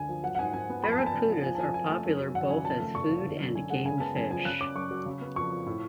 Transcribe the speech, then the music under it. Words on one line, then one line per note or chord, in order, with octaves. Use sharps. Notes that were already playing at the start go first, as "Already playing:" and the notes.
Barracudas are popular both as food and game fish.
Already playing: D2 G#5
F3
F#3 F#5
F#5
G#2 G#5
G#2 G#5
B3
F2 B5
A5
B3 G#5
A5
F#1
F3
F3 G#5
A5
F2 G#5
F2 G#5
A3
F#2
F#3
G#1 F#5
C#3 G#5
F2 A5
A3
F1 C#6
F3
D3
F#2
F#2 G#5
G#3 F#5
C#3 G#5
B3 A5
F#2 G#5
F3 G#5
C#3 F#6
C#4 D6
F#2 C#6
F#3
C#3
B3
F2 C#6
F3
A2